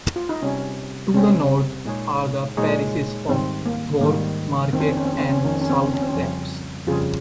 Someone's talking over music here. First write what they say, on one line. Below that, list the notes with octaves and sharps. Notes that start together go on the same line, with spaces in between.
To the north are the parishes of Thorpe Market and Southrepps.
F4
D#4
C3 G3 C4 C#4 G4
C3 G3 C4 C#4 G4
A#2 G#3 D#4 G#4 C#5
A#2 G#3 D#4 G#4 C#5
G#2 D#3 G3 C4
A#3
G#2 D#3 G3 A#3
F2 D#3 A#3 C4
C#4
C4
C#4
C4
C#4
C4
C#4
C4
F2 D#3 A#3 C#4
C4
C#4
C4
C#4
C4
C#4
C4
C#4
F2 C#3 G3 C4
F2 C#3 G3 F4 G#4